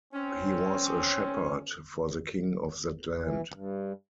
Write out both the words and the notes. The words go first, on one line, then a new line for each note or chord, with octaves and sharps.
He was a shepherd for the king of that land.
C4 C#4
E3
G2